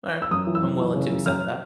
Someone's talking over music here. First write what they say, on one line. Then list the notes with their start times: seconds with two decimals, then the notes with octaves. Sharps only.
Alright. I'm willing to accept that.
0.22 E6
0.31 F#2 D#6
0.47 E3
0.55 E6
0.62 F#2
0.79 E3
0.94 C#3
1.10 F#2
1.26 F#2 F6